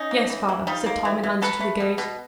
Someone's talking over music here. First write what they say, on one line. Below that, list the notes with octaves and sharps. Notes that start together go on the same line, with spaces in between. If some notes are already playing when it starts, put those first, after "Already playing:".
"Yes, father," said Tom, in answer to the gaze.
Already playing: C#4 D#4
A#3
E3
E3
G3 D#4 F4
A#3
E3
E3
F#3 A4 B4
A3
B2
B2